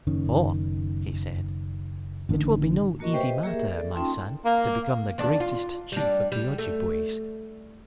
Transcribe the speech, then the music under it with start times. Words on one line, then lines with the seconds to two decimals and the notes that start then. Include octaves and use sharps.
"For," he said, "it will be no easy matter, my son, to become the greatest chief of the Ojibways."
0.07 F#1 D#3 C#4
2.29 A1 D3 D#3
2.99 A3 A#3 F#4 A#4 D#5 C#6
3.13 G4 B4 C5 E5 G5
3.25 D#5
3.43 A#3 G4 G#4 A#4 E5
3.70 A4 D5
3.94 C#4 D#4 F4 G5 A5 C6
4.45 A#3
5.18 E2 D4
5.40 F4
5.92 G3 D4
6.32 G3
6.58 A3